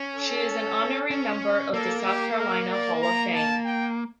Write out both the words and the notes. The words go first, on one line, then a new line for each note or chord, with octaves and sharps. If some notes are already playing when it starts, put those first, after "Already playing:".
She is an honorary member of the South Carolina Hall of Fame.
Already playing: C#4
A4
C#4
A#3 A4
G4
A#4
D5
A#5
A5
G5